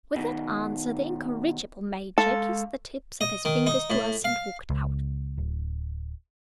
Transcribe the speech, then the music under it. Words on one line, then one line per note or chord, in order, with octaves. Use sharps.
With that answer the incorrigible Major kissed the tips of his fingers to us and walked out.
B2 D#3
G#3 A4 F5
D#5
D#3
D#4
A2
F5
C#2
D1